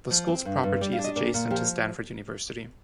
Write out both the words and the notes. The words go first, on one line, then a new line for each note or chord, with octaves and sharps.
The school's property is adjacent to Stanford University.
F3
C4
G2
G2
G3 D5
F5
D4
D#5
A#2 D5
A#2
F3 G4